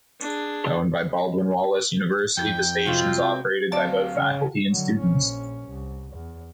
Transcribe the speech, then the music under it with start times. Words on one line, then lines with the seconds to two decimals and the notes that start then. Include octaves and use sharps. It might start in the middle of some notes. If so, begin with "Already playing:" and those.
Owned by Baldwin Wallace University, the station is operated by both faculty and students.
0.20 D4 G#4
2.37 F2 G5
2.86 C3 F#3 G#3 F4
3.72 D2 F#3 C4 D5 F5 A5
4.15 C#3 C#4
4.70 D3 F#3
5.00 A#1 C#4
5.69 C2
6.15 E2